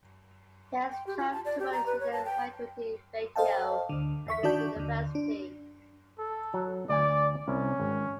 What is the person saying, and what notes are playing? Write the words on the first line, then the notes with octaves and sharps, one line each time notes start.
There is a twelve to one student faculty ratio at this University.
G5
G4
F4
A5
D5
G4
A#5
B4
C#5
A5
G5
A4 C5 D#5 F5 G5 A5
D2 D3
E2 E5 C#6 B6
D#3 D4 F#4 D5 A5 G6
D#2 D3
D4
A4
F#3 A#5
D2 D5 G#5
C2 C#4
G#1